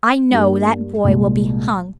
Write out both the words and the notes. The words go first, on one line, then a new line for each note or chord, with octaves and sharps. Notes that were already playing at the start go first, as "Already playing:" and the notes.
'I know that boy will be hung.'
G2 G3 A#3
C2 A#2 G#3